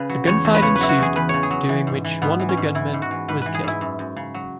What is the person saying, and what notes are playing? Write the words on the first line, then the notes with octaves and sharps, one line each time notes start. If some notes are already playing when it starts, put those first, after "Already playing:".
A gunfight ensued, during which one of the gunmen was killed.
Already playing: C#3 B4
F#3
E2 C#5
E2
B4
C#3 C#5
B4
F#3 E4
F#4
E2 G#4
E2 B4
C#3 C#5
G#4
F#3
E3
G#2
E3
G#2 B3
E3
C#4
G#2
E3 E4
G#2
F#4
E3
G#2 B4
E3 B4
G#4
G#2 E4
F#2
F#2
C#3
F#3